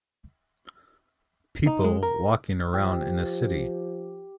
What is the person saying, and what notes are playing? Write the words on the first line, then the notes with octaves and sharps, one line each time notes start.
People walking around in a city.
D#4
G#3
A#4
F3 G4